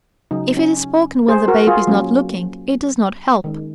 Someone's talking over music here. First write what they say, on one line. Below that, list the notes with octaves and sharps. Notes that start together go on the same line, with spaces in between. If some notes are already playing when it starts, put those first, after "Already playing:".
If it is spoken when the baby is not looking, it does not help.
C#3 F#3 C#4 D#4
C#4
G#4 C5
F#4 A#4
F4 G#4
F#3 A#3 C#4
D#3 G#3 C#4